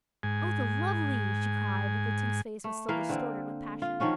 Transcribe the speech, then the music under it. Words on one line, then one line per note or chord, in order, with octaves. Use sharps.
"O the lovely!" she cried, though Tink's face was still distorted with passion.
G#2 G#5
A3
E3 A#3 F5
D3 C4
F4
D#3 F3 C#4 F#4